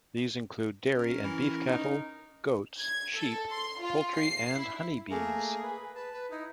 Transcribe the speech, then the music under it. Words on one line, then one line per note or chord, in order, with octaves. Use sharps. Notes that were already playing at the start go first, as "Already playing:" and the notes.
These include dairy and beef cattle, goats, sheep, poultry and honey bees.
C#4 A#4
E3
D#4
G#6
A4
C6
F4
C7
E4
A3 A#3 G#4 A#4
B4
B4 A5
B4
D#4 E4